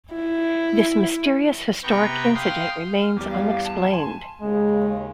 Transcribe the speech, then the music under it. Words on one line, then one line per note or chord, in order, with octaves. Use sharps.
This mysterious historic incident remains unexplained.
E4
C3 B3 B4 G5 A#5 C#6
F5 G5 C6 D#6
F6
E2 G3 D6
F5
A5
G#5 C6
D#2 C#3 G#3